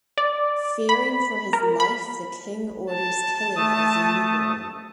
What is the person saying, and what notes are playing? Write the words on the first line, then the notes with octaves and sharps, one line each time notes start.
Fearing for his life, the king orders killing of the newborn.
D5
B5
A#4
B5
A5
A3 D#6